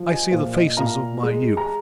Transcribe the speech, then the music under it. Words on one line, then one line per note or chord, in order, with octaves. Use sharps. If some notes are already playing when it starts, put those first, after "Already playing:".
I see the faces of my youth.
Already playing: F3
D#5 G#5
A#2 C5 F5
D#5
A#2 F5 A#5
G#3
A#5